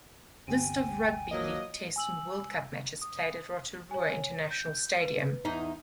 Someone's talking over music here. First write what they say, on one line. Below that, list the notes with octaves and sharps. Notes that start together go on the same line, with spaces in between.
List of rugby league Test and World Cup matches played at Rotorua International Stadium.
G1 D2 C3 G5 G#5
F3 F#3 A#3 D#5
G#5 E6 F#7
D#6
C#5 G#5
G6
B4
E2 D#4